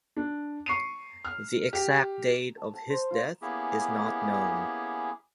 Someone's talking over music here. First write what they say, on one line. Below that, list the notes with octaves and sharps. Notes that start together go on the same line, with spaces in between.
The exact date of his death is not known.
D4
C#6 C7 D#7
F6
G4
A5
A5
C5
F4
A#3 B3 C#4 E4 G4 G#4